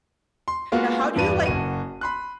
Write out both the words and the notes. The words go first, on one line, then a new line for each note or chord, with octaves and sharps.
Now how do you, like,
C6
G#3 A#3 B3 F4 F#4
E2 G2 D4 B4 D#7
F#1 F#4 D#7
B5 C6 F#6